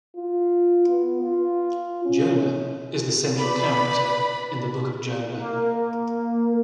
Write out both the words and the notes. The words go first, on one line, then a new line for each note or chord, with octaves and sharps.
Jonah is the central character in the Book of Jonah.
F4
B3
F4
C#4
B4 D5 B5
A#3